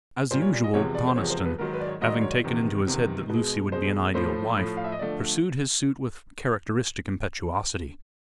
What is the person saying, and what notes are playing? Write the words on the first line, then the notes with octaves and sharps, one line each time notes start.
As usual, Conniston, having taken into his head that Lucy would be an ideal wife, pursued his suit with characteristic impetuosity.
A#2 G3 C5
C#5
D5
D#5
E2 C3 F3 G#3 C#5
D5
C5
E2 C3 F3 G#3 C#5
C5
B4
G#2 D#3 F#3 A#4
B4
D5
C#5
G#2 D#3 F#3 D#5
D5
C#5
D5
E2 C3 D#3
E2 C3 D#3
B2 G#3
B2 G#3 C5
A2 F3 A3 C5
A2 F3 A3
F5
E5
D#5
D3 F3 A3 D5